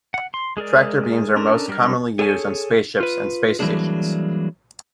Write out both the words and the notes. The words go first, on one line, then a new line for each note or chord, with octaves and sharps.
Tractor beams are most commonly used on spaceships and space stations.
F#5
C6
G#3 G#4 A#4 D5
C#4 D4 A4 A#4
F#3 G3 D4 A#4 F6
G#4 A4 C#5 G5 G#5
F4 B4
E3 F#3 G3 A#3 D4 G#4